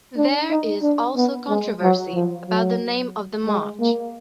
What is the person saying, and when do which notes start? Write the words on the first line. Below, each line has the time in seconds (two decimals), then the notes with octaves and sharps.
There is also controversy about the name of the march.
0.16 D4
0.50 D#4
0.82 D4
1.16 B3
1.49 G#3
1.82 F#3
2.14 F3
2.48 F#3
3.47 G#3
3.80 A#3